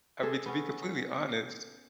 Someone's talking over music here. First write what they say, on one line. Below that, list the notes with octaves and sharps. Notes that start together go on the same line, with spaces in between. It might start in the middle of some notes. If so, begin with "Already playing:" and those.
I mean, to be completely honest
G#4 A4
B3 C#4